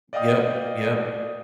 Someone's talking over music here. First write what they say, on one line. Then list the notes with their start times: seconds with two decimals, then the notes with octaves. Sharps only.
Yep, yep.
0.13 D5 D#5 F5 G5 D#6